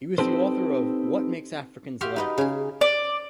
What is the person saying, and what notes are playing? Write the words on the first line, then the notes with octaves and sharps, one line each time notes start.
He was the author of "what makes Africans Laugh".
C4 D#4 G4 A4 B4 C5
F#4 G4 E5 F5 C6
D#4 B4 D#5
C#3 G#4
D5